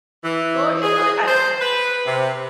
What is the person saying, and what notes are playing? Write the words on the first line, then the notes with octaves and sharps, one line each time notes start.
gory a little bit. I don't know.
E3
G#4
C5
B4
C3